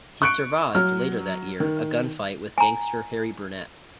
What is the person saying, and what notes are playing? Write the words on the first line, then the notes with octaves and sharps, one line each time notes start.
He survived, later that year, a gunfight with gangster Harry Brunette.
C#6 F#6 C#7 D7
F#3 F6
D#3
G#5 A#5